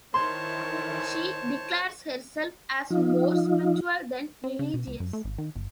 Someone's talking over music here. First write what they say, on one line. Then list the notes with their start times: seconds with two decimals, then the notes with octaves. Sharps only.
She declares herself as more spiritual than religious ...
0.14 D#3 E4 C5 C#5 A5 C6
2.90 F3 D#4 F4
4.44 C4
4.59 C#3
4.74 B2
4.87 C#2
5.00 F#2
5.13 A3
5.25 G#1
5.38 D#3
5.56 G1